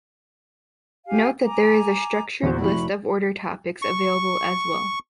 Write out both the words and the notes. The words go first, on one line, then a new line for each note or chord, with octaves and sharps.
Note that there is a structured list of order topics available as well.
G4 F5 G#5
G#5 A#5 D6
E2 A#2 F#4 C5
F1 E4 F#4 B5 C#6
C#6